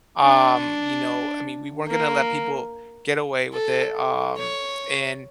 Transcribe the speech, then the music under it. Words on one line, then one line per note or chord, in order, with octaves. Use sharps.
um, you know, I mean, we weren't gonna let people get away with it. Um, and
D4
A#3
A4
C#5